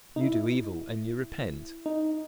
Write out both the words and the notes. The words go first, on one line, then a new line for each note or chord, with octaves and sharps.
You do evil, and you repent?
D#4
E4
D#4